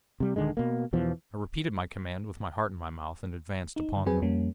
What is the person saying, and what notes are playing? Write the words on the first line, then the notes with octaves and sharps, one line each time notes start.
I repeated my command, with my heart in my mouth, and advanced upon them.
C3 G3
D#1 D3 D#3 G#3
B2 A#3
E2 B2 E3 F3
D#4
G2 D3
F2 F#3 C4 G#4 B4 G#5
F2 G3 A#3 C#4